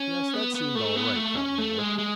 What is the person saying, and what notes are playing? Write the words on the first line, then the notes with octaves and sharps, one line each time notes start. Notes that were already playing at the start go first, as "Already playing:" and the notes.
Yes--that seemed all right, thought Mabel.
Already playing: C#4
B3
B3
A3
B3
A3
C#4
A3
G#3
G#3